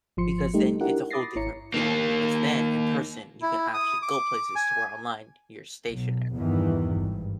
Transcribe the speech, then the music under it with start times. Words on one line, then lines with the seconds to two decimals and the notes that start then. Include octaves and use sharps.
Because then it's a whole different feeling, because then, in person, you can actually go places, to where online, you're stationary.
0.17 G#1 F3 C6 C#7
0.54 G3 A3 D#4 G4
0.81 D4 E4 G4 A#4 F#5
1.11 B5 D6 D#6 A6 A#6 C7
1.36 G#1 E4 C#5 A#5 C#7
1.74 D#3 A#3
3.42 E4
3.74 D#6
4.02 D6
4.55 G#5
5.91 B1
6.36 E2 G2 D#3 E3
6.96 G#1 G2